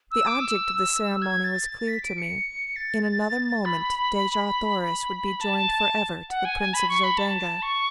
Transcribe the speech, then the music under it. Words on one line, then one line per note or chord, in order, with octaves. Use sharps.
The object of the ceremony was clear to me; in another moment Dejah Thoris would be joined forever to the Prince of Zodanga.
E6
D6
E6
E6
G#6
A6
B6
D7
C#7
A6
B5
A5
F#5
G#5
G#5
B5
C#6
B5
A5
C#6